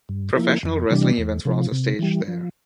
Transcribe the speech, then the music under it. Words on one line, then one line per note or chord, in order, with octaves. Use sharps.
Professional wrestling events were also staged there.
G2
F3 A#3 E4
F2
C3 E3 G3 D4
E2
C3 F3
C3
E3 G3
F3